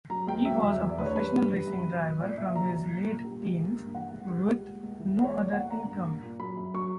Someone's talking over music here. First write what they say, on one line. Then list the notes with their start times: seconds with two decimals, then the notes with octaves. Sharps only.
He was a professional racing driver from his late teens, with no other income.
0.10 F#3 A#5
0.27 C#2 G5
0.45 F#3 E5
0.63 E2 E5
0.80 E3
0.89 D5
0.98 D2 B4
1.06 C#5
1.15 G3 B4
1.33 G2
1.50 G3
1.67 F#2
1.86 F#3
2.03 F#2
2.20 A#2 D5
2.31 D5
2.37 A#2 E5
2.55 F#3 A#5
2.72 F#2
2.91 A#3
3.08 A#2
3.25 G3
3.42 C#2
3.60 A#3
3.78 G2
3.95 E3 F#5
4.13 C#2
4.30 G3
4.47 C#2
4.65 A#3
4.83 C#2
4.99 E3
5.17 C#2
5.24 C#5
5.35 A#3 D5
5.52 C#2 F#5
5.70 A#3 A#5
5.87 G2
6.05 A#3
6.22 A#2
6.39 F#3 B5
6.57 F#2
6.74 F#3 C#6